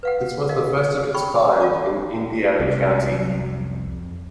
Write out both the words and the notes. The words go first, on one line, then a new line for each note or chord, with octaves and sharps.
This was the first of its kind in Indiana County.
B4 F5 F#5
A#4 D#5 F5
G5 B5 C#6
F4 A5 D6
C2 G#3 C#4
F#3
F2